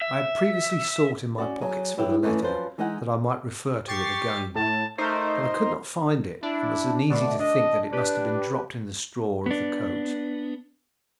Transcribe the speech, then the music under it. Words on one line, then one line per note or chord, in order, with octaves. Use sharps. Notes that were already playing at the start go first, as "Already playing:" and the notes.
I had previously sought in my pockets for the letter, that I might refer to it again; but I could not find it, and was uneasy to think that it must have been dropped in the straw of the coach.
E5
C#4 F#4 D5
F#3 G#4
E3 F#3 E4 G4
D#3 E3 A3 C#4
F#2 F3 B4 C5
E3 G#3 D#4 D#5 F#5
G4 C#6 A6 C7
A2 A5
A3 D#4 A#4 C5
D4 E4
B2 D3 A3 D5
D4 D#5
D4 G4 B4
B3 D4